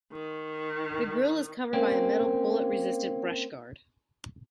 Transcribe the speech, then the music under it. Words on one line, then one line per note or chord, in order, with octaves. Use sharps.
The grille is covered by a metal bullet-resistant brushguard.
D#3
A#3 C4 C#4